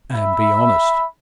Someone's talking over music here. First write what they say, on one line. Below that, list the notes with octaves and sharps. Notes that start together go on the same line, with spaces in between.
Man, be honest.
E5 B5